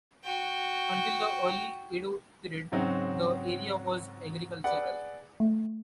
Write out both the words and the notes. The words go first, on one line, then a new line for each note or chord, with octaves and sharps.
Until the early Edo period, the area was agricultural.
F#4 G5
G#2 C#3 F#3 C4 D#4 F#4
G#4 B4 D5 F#5
A3